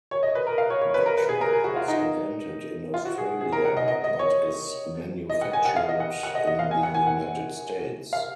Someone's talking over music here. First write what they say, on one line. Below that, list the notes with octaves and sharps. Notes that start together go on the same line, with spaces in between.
The trap was invented in Australia, but is manufactured in the United States.
C#5
D#5
B4
A#4
F5
C#5
C#5
B4
A#4
B4
G#4
A#4
G#4
F#4
F4
D#4
F4
F#4
G#4
G#4
A#4
F#5
D#5
D#5
D#5
C#5
D#5
F#5
G#5
F#5
F5
D#5
F#5
F#5
D#5
D#5
F5
G#5
F#5
G#5
F#5
F5